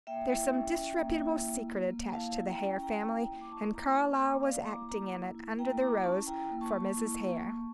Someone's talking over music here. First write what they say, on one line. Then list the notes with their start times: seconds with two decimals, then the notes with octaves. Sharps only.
There's some disreputable secret attaching to the Hare family, and Carlyle was acting in it, under the rose, for Mrs. Hare.
0.07 A#3 E5 G5
0.30 E4
0.53 C#4
0.77 C#4
0.99 A#3
1.22 E4
1.45 A#3
1.68 A#3
1.90 A#3
2.13 E4 F5 A5
2.37 E4
2.48 G5 A#5
2.60 C#4
2.82 E4 G5 A#5
3.05 E4
3.29 A#3
3.41 D6
3.51 E4 A5 C#6
3.74 A#3 A#5 D6
3.97 A#3 A5 C#6
4.20 A#3 A#5 D6
4.43 A#3 D5 F5
4.66 E4 A#5 D6
4.89 A#3 A#5 D6
5.12 E4
5.35 E4
5.58 A#3 G5 A#5
5.81 E4 A#5 D6
6.04 C#4 A5 C#6
6.27 E4 G5 A#5
6.51 A#3
6.61 A5 C#6
6.73 A#3
6.96 E4
7.19 A#3
7.42 A#3